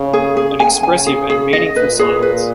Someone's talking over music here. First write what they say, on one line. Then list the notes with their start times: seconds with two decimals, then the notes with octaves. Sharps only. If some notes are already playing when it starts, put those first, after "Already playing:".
An expressive and meaningful silence.
Already playing: C#3
0.13 G#4
0.37 G#4
0.60 G#5
0.83 C#3 G#5
1.07 G#4
1.30 G#4
1.53 D#5
1.76 A#2 B4
1.99 G#4
2.22 B4